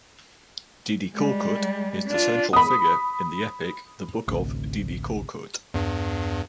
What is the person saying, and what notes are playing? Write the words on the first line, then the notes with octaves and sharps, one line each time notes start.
Dede Korkut is the central figure in the epic The Book of Dede Korkut.
G3 G#3
D4 F4
B5 D#6
A1 D2 C3
E2 G2